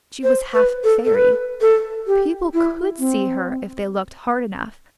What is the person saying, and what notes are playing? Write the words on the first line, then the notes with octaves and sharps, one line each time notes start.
She was half fairy. People could see her if they looked hard enough.
C5
B4
A4
A4
B4
A4
G4
E4
C4